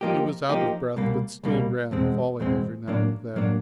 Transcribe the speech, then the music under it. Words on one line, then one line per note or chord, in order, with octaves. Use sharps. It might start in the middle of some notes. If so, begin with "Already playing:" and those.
He was out of breath, but still ran, falling every now and then.
F3 A#3 D#4 G4
F3 A#3 D#4 G4
C2 B2 G3 A#3
C2 B2 G3 A#3
E2 B2 G#3 C4
E2 B2 G#3 C4
A2 F#3 A#3 D4
A2 F#3 A#3 D4